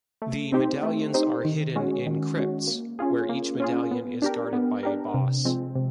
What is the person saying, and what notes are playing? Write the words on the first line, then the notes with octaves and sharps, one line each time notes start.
The medallions are hidden in crypts, where each medallion is guarded by a boss.
A3
C4 D#4 G4 C5
A3
C4 D#4 G4 C5
D#3
G#3 C#4 F#4
D#3
G#3 C#4 F#4
A#3
C#4 F4 G#4
A#3
C#4 F4 G#4
B3
D4 G4 A#4
B3
D4 G4 A#4
C3
F3 G#3 C4
C3